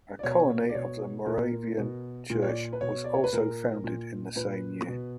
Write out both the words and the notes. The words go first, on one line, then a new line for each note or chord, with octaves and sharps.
A colony of the Moravian Church was also founded in the same year.
D5
B2 C#5
D5
B2 C#5
A#2 A#4
B2
A#2
C#5
D5
B4
B2 C#5
D5
C#5
B4
A#2 A#4
A#2
A#2 B4
B2